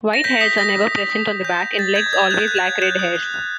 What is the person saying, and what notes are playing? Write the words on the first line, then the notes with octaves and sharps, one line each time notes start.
White hairs are never present on the back, and legs always lack red hairs.
A#6
G6 B6
D#6 B6
D#6 A#6
D#6
D#6
D#6
D#6
G6
G6
G6 A6
G6 G#6
D#6 G#6
F#6 G6
F#6
G#6
F#6
F#6 G6
D#6
F#6
F#6